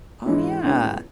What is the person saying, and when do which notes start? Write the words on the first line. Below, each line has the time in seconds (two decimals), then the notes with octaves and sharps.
Oh, yeah.
0.26 G#2 E3 G#3 C#4 E4
0.63 C#2 B2 G#3 C#4 E4